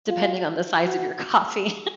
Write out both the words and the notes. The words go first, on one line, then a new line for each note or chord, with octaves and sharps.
depending on the size of your coffee.
F4
F#4